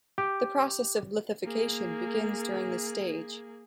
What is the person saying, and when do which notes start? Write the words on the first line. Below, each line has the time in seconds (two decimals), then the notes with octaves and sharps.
The process of "lithification" begins during this stage.
0.18 G4
1.44 A#3 G#4